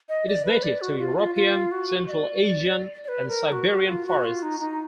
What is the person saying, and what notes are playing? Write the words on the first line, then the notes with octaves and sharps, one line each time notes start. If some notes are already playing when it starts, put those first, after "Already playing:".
It is native to European, Central Asian, and Siberian forests.
D#5
D5
B4
D5
F#4
F4
F4
F4
F#4
D#5
D5
D5
B4
A#4
F#4
F#4
F4
F#4
F4
D#4
D#4